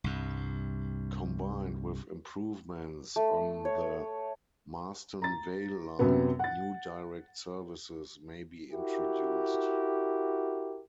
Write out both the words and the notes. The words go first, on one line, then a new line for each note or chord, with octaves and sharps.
Combined with improvements on the Marston Vale line, new direct services may be introduced.
C2 G2
A3
C#5
A#5 A6
F#2 C3 F#3 B3
F#5 A6
E4 F#4 G4 A#4